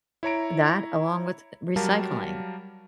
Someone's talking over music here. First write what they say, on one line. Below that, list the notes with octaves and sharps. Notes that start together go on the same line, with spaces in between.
that along with recycling.
E4 C#5 A#5 D7
F#3 G3 A#4 F5 A5